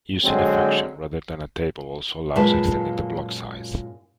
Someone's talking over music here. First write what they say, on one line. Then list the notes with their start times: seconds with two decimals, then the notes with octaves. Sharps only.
Using a function rather than a table also allows extending the block size.
0.24 D3 F#3 G#3 C4
2.36 F#2 A#2 G#3 F4 B4 A5